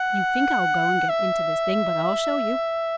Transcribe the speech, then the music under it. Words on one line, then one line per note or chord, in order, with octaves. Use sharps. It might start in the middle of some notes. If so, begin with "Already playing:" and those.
You think I'll go and get into this thing, but I'll show you.
Already playing: F#5
E5